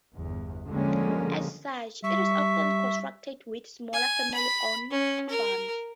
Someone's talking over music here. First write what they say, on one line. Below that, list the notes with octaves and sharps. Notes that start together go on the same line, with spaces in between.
As such, it is often contrasted with smaller family-owned farms.
G1 E2
D3 F3 G3 G#3 A#3 C#4
G3 E5 C#6
G#5
B5
C#4
A#4